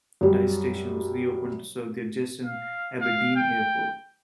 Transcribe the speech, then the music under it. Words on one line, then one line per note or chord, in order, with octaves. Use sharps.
Dyce station was reopened to serve the adjacent Aberdeen Airport.
F#2 G3
F5
F5
G5